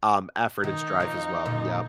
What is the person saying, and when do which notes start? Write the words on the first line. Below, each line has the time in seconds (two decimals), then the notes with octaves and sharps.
um, effort and strife as well. Yep.
0.64 D#3 D#4
1.00 E3 F3
1.45 D#2 A#2 D3